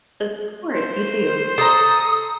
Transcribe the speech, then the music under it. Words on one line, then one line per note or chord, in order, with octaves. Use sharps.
Of course, you too.
C5
A4 A#5 D#6